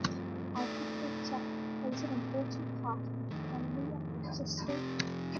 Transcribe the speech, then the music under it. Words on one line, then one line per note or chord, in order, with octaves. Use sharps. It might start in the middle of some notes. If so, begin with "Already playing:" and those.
Agriculture plays an important part in the economy of Rochester.
Already playing: G2 F3 A3 C4
A3 D#4 A4 D5
A#2 A3 C4
F2 D#3 A3
F2 C3 F3 C4 G4